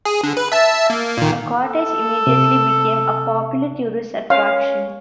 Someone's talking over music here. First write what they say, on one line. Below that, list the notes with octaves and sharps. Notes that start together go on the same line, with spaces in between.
The cottage immediately became a popular tourist attraction.
G#4
D3
B4
E5 A5
A#3
A#2 D#3
A4
C3
C#4 F5